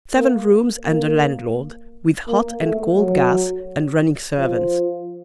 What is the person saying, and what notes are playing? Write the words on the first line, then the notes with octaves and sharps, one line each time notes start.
Seven rooms and a landlord, with hot and cold gas and running servants.
A#3
A#3
A#3
A3
F#3
F3